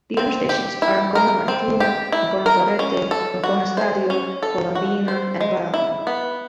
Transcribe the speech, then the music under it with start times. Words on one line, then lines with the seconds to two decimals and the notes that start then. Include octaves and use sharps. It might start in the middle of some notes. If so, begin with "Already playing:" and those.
The other stations are Ancona Marittima, Ancona Torrette, Ancona Stadio, Palombina and Varano.
0.17 C4
0.49 G4
0.82 E4
1.15 A#4
1.48 C4
1.80 G4
2.12 E4
2.46 A#4
2.79 C#4
3.11 A4
3.44 F#4
3.77 C5
4.10 C#4
4.43 A4
4.75 F#4
5.08 C5
5.41 G#3
5.74 E4
6.07 B3